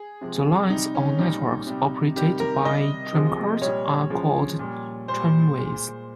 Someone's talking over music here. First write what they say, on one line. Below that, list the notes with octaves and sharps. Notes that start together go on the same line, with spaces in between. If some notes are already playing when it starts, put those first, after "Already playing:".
The lines or networks operated by tramcars are called tramways.
Already playing: G#4
C3 F3 G#3
C3 G3 D#4
C#4
A#2 G3 D#4
C3 G3
C3 D#3 G3 G4
A#4
C3 G3 D#5
C3 F3 G#3
A#2 G3 C#5
C#3 F3 G#3
A#2 G3
A#2 G3 C5
A#2 G#3